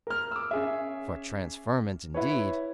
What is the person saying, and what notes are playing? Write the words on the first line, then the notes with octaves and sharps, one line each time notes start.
For transferment, indeed!
A#4 F6
D6 E6
C#4 G#4 E5
E4 B4 C#5